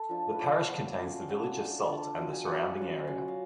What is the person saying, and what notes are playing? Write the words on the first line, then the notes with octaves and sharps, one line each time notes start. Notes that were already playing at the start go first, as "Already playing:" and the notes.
The parish contains the village of Salt and the surrounding area.
Already playing: A4
F3 A3 D4 F4
B4
F3 B3 F4 C#5
F3 B3 F4
A3 C#4 F4 F5
F5
A3 C#4 F4 F#5
G#5
A3 D4 F4 A5
A3 D4 F4
F#3 B3 F4 A5
G#5
F#3 B3 F4 F#5
G#5
F#3 C#4 F4
F#3 C#4 F4 F#5
F5